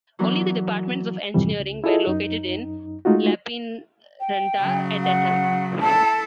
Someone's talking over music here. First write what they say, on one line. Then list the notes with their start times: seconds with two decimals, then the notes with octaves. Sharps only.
Only the departments of engineering were located in Lappeenranta at that time.
0.19 E3 F#3 B3 D4 A#4
1.34 F2 G#2 C3 E3 G3
1.60 C#2
1.84 E4 F4 G#4 A4 D#5
2.07 F#2 D#4
3.05 G#3 A3 D#4 F4 F#4
4.20 G5
4.59 C#3 F#3
5.03 F#5
5.81 E4 A4 A5